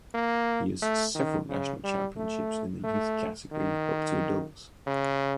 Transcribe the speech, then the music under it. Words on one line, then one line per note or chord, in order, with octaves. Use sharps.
He has several national championships in the youth category up to adults.
A#3
A3
D#3
C#3
G3
A3
A3
D#3
C#3